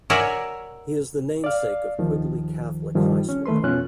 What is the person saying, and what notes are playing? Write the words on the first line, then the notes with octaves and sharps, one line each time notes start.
He is the namesake of Quigley Catholic High School.
F#4 A#4 C#5 D5 E5 G#5
D5 F5
D#2 D#3 F3
G2 D#3 F3 G3
C#4
D#3 A3 B4 C6
F2 B2 C#4 F4 F#6